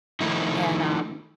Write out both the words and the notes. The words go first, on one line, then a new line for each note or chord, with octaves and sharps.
and, um,
D#3 F3 A3 D#4 E4